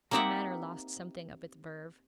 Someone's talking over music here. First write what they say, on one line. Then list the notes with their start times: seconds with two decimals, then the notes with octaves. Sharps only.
Her manner lost something of its verve.
0.11 A#3 C4 D#4 G4 E5 F#5